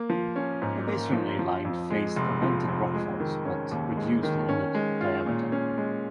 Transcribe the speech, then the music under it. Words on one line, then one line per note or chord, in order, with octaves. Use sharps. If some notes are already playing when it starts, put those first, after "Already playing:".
A masonry-lined face prevented rock falls, but reduced the inner diameter.
Already playing: A#3
F3
C#4
G#2
A#3
F3
F3
F2
G#3
F1
F3
F2
G#3
D#3
C#4
D#2
G#3
D#3
C#4
G#3
F4
A#2
C#4
G#3